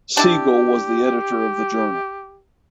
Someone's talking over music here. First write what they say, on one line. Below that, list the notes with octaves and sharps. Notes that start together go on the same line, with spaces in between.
Siegel was the editor of the journal.
D4 E4 G4